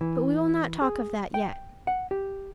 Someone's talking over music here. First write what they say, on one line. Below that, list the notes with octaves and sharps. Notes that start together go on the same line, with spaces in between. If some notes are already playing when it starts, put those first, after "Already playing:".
But we will not talk of that yet.
E3
G#4
G5
F#5
G4